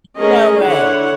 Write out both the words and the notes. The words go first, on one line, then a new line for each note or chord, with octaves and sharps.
No way,
A3 C#4 G#4 A#4 D#5
D3 E4 C#5 F#5